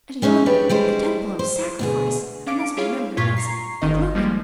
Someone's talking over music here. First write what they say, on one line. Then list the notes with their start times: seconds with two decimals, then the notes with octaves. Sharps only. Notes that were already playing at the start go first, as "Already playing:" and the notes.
And, yonder, the temple of sacrifice, unless my memory is--and look!
0.22 G#3 C#4 D#4 D#5 E5
0.46 D4 G4 G#4 B4 C#5
0.69 G3 G#3 E4 C5
1.39 C5
1.79 D2 B2 G#4
2.46 C#4 D4 F5 D6 D7
2.77 E4 F4 G#4 C#5 F5
3.17 G2 A#2 F4 C#6 G#6 B6
3.37 A#5 C#6 C7
3.82 G1 D#3 D#4 D#5
4.15 F3 G3 G#3 A#3